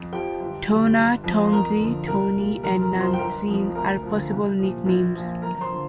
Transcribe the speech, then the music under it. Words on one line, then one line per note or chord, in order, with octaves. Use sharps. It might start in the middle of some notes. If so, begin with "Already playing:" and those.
Tona, Tonzi, Toni, and Nantzin are possible nicknames.
Already playing: F2
F3 G4 G5
G1
G2 D3 G3
G1
F2 F3
C6
F2 A#4 A#5
D3 F3
C2 A#4 A#5
A#2 G3
F1 A#4 A#5
A#4 A#5
F2 F3 A#5
C5 C6
G5
G1 A#4 A#5
F2 F3
D2 A#4 A#5
D3 F3
C2
A#2 F3
A#1
A#2 F3
G1 A#4 A#5
A#5
C5 C6
D3 F3